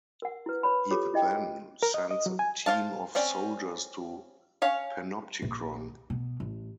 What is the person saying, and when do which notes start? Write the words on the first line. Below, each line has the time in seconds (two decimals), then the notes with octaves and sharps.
He then sends a team of soldiers to Panoptichron.
0.22 A#4 F#5
0.46 E4 B4
0.63 B4 C#5 B5
0.91 F4 G4 A4 C#5 D6
1.14 E4 D#5 G5
1.83 A#4
1.94 D#5
2.11 D#5
2.26 F#3
2.39 G#5
2.66 C5 D5 F5 A5
3.15 C4 C#4 D5
4.62 C#4 C#5 F5
5.42 A#1
6.10 B2
6.40 A1